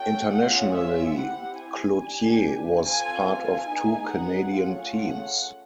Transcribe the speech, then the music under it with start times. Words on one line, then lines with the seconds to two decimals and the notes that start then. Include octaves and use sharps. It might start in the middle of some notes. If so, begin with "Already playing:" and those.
Internationally, Cloutier was part of two Canadian teams.
Already playing: A3 C#4 F#4 A4 G5
0.32 C#4 F4 G#4 F#5
0.75 E5
1.17 C4 E4 G4 F#5
1.59 G#5
2.01 D4 G4
2.85 C4 F4 A4 G#5
3.27 G#5
3.69 B3 D#4 G#4
4.10 F#5
4.53 A3 C#4 F4 G#4
4.95 F#5